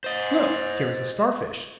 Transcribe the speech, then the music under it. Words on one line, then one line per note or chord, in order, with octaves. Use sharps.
Look, here is a Starfish!
C5 D#5